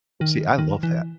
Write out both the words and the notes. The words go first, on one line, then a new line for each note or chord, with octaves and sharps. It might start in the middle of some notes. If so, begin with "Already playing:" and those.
See, I love that.
D#3
D#3
E3